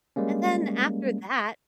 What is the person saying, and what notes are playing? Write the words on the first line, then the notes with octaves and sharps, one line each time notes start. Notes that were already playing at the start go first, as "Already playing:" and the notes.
And then, after that
G3 G#3 A#3 C#4